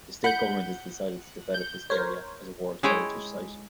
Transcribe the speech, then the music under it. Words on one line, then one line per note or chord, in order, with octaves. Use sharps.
The state government has decided to develop this area as a World Heritage site.
F#5 B5 G6
G6
A#4 C5 C#5
G#3 E4 G#4 C#5 G5